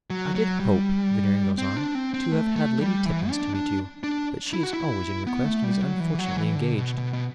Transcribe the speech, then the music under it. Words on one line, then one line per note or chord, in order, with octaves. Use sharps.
'I did hope,' Veneering goes on, 'to have had Lady Tippins to meet you; but she is always in request, and is unfortunately engaged.'
F#3
F#3
G3
C4
D4
C4
C4
A3
A3
G3
E3
D4
D4
D4
E4
F#4
E4
B3
A3
G3
F#3
E3
F#3
E3
D3
B2
B2
B2